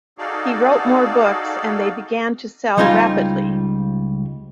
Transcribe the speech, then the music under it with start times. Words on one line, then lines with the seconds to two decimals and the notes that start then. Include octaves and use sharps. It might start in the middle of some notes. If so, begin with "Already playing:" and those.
He wrote more books and they began to sell rapidly.
0.18 D#4 F#4 G#4 A4 D5 F5
2.77 C#2 G3 C4 D#4 F4 G#5